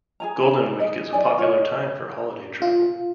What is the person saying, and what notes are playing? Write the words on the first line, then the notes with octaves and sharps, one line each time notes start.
Golden Week is a popular time for holiday travel.
G#4 G#5 A#5
G#4 D#5
D#4 D5 G#5
F4 C#5 D#5
F4